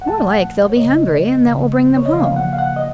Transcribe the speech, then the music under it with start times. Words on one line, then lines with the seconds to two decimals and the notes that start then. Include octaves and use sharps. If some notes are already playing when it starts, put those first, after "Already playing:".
More like they'll be hungry, and that will bring them home.
0.01 F#5
0.07 A#2 F3 A3 A5
0.30 F#5
0.70 C#5
0.76 C#3 A3 D#5
1.44 C#3 F3 A#3
1.96 C#5
2.06 D#5
2.13 C#3 F3 A#3 F5
2.36 F#5
2.53 F5
2.58 F#5
2.76 D#5